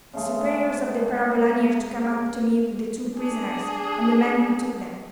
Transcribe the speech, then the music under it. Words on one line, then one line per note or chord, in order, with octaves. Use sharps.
The superiors of the parabolani are to come up to me with the two prisoners, and the men who took them.'
C#3 G#3 A3 G#4
D4 G#4